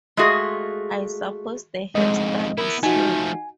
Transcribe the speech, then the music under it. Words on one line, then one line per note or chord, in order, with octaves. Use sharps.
I suppose they have studies here.
G#3 A3 F4 F#4 G#4
F2 G#2 G#3 D#5
B3 E4 A#4
F3 A3 D#4 F#4 G#5